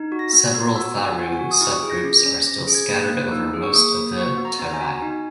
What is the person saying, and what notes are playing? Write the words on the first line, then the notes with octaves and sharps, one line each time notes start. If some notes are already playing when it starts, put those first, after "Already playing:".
Several Tharu subgroups are still scattered over most of the Terai.
Already playing: D#4
F#4
A#6
B3
G#6
B3
F#4 E6
B3
G#5
B3 F#5
G#5
F#4
D#6
E4 C#6
G#4
A#6
C#4
A#6
C#4
C#4 A#6
G#4
G#6
A#3
F#6
A#3
D#4 E6
G#4
C#6
A#3 D#6
A#3
F#4 C#6
B3
A#5
B3
A#5
G#5
F#4
D#4